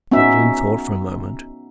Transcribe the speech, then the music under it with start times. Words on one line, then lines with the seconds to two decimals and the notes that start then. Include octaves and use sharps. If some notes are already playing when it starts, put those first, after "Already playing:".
Gwendolen thought for a moment.
0.11 B3 C#4 D#4 F#4 E5